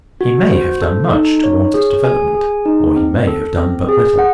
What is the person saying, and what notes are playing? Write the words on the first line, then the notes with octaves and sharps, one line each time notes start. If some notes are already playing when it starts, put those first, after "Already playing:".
He may have done much toward its development or he may have done but little.
F#4
C5
A4
D#4
C#5
G#4
G#5
G#4
D#4
C4
A4
C4
G#4
F#5